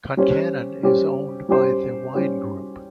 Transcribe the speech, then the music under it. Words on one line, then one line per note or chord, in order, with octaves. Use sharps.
Concannon is owned by The Wine Group.
G3 C#4 G4 C5
G3 C#4 G4 C5
G3 C#4 G4 C5
G3 C#4 G4 C5